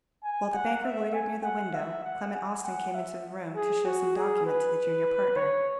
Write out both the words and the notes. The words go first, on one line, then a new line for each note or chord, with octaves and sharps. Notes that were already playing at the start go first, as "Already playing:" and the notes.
While the banker loitered near the window, Clement Austin came into the room, to show some document to the junior partner.
G#5
F#5
E5
G#5
F#5
E5
F#5
G#5
F#5
E5
G#4
F#4
G#4
B4
C#5